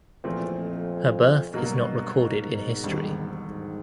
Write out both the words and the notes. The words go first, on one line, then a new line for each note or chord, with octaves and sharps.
Her birth is not recorded in history.
E2 A#2 F3 A3 C4
F2
G2 B2 F#3 A#3
G#2
E1 D#2 D3 G3
G#2